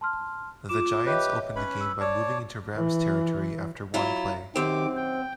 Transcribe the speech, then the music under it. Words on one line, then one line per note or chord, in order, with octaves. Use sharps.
The Giants opened the game by moving into Rams' territory after one play.
A5 C6 F6
F4 D6 E7
G4 B4 C#5 D#5 E5
C#4 B4 B5
E6
C#5 D5 A5 D6
E3
F#3 E4 F4
F#2 D#3 C4 G4 D6
G5